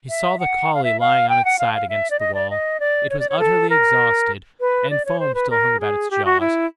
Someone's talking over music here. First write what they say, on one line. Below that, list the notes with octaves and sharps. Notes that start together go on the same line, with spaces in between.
He saw the collie lying on its side against the wall; it was utterly exhausted, and foam still hung about its jaws.
E5
F#5
F5
E5
F5
G5
F#5
F5
F5
E5
D5
D#5
D5
D#5
D5
C#5
D5
C#5
A4
A#4
B4
D5
C#5
C5
B4
A#4
G#4
G4
F#4
E4